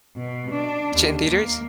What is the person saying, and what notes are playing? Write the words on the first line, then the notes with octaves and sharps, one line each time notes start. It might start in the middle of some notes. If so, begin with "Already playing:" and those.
tch it in theaters?
B2
D4
D#2
A#3